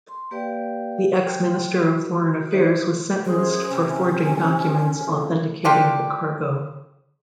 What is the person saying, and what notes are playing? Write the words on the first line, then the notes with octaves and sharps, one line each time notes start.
The ex-Minister of Foreign Affairs was sentenced for forging documents authenticating the cargo.
C6
A#3 G4 B4 D5 F5 G5
G5
F#4 D#6
D#4 F#4 B4 C5 D5 E5
F#2 G#4 C5
C3 C#4
F2 A2 C#3
D4 F4 G4